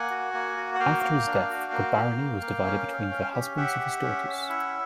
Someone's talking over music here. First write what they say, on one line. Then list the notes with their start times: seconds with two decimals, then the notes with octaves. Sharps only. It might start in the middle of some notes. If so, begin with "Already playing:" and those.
After his death, the Barony was divided between the husbands of his daughters.
Already playing: A#3 F#5 G#5
0.11 F#4
0.34 A#3
0.57 F#4
0.75 F#5
0.80 A#3 F5 G5
1.03 A#3
1.26 D4
1.50 F#4
1.72 A#3
1.95 A#3
2.18 A#3
2.42 A#3
2.65 C#4
2.88 C#4
3.11 C#4
3.34 G4
3.57 G4 E5 F#5
3.80 G4
4.03 C#4
4.26 C#4
4.49 E4